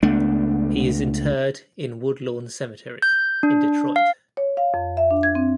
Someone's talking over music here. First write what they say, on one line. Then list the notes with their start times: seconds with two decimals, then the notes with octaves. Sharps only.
He is interred in Woodlawn Cemetery, in Detroit.
0.03 C#2 A3 B3 D4
3.02 G6
3.43 D4
3.96 F5
4.37 C#5
4.57 F5
4.74 F2
4.97 E5
5.11 D4
5.23 G#6
5.35 C4